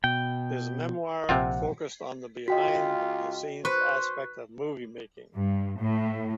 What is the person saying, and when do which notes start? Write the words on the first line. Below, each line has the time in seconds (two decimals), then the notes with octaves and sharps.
His memoir focused on the behind the scenes aspect of movie-making.
0.04 B2 G5
1.29 A#1 C3 C4 F4 F#5
2.48 C#2 F4 F#4 D#5 G5 B6
3.65 B4 C5 C#6
5.34 G2
5.80 A2